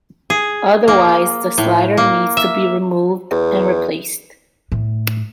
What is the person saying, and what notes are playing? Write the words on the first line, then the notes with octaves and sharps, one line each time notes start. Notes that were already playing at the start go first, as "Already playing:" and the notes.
Otherwise the slider needs to be removed and replaced.
G#4
A#3
A2
A#3
E5
E2
A2